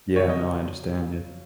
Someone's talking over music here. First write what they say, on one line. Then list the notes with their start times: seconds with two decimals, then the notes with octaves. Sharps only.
Yeah, no, I understand, yeah.
0.16 C#3 F#3 C#5
0.29 D#5